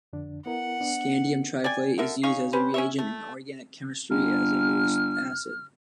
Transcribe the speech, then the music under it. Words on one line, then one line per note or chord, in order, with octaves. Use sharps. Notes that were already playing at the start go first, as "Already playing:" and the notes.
Scandium triflate is used as a reagent in organic chemistry as a Lewis acid.
F2 D3 D4
B3 E4 A#4 F#5
B3 D4
D5 G5 G#5
D3 A#4 E5 F#5
C#4 D#4 F5 C#6
C#4 G4 B4 C5
C#4 C#5 E5
A3
G1 F6